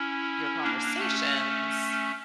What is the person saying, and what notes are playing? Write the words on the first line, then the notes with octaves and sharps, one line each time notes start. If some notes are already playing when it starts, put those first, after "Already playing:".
your conversations
Already playing: C#4 E4
A#3 D4
A3 C#4